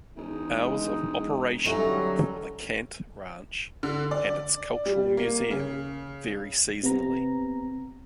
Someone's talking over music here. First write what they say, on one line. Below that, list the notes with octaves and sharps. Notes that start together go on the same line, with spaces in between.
Hours of operation for the Cant Ranch and its cultural museum vary seasonally.
E1 G#3 D#4
D2 F#3 G3 C#4 D#4 A4
D3
D5
G3
A#3
C#3
C3 B3 A#5